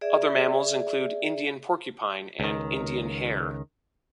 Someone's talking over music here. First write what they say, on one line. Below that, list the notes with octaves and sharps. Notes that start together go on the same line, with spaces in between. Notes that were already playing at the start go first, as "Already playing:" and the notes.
Other mammals include Indian porcupine and Indian hare.
G#4 D5 E5
C#2 D#3